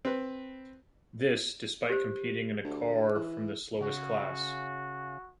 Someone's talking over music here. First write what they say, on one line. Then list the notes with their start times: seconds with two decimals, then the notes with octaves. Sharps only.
This, despite competing in a car from the slowest class.
0.05 C4 B4
1.90 G4 C5
2.64 D2
3.14 E3
3.81 C#3 F#4